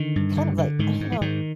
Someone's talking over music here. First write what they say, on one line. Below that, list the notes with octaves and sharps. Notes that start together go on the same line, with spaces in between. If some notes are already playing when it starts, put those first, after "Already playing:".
kind of like, I don't know,
Already playing: D3 D#3
G2
D3
D3
G#2 D#3
G#2
E3
G#2 D#3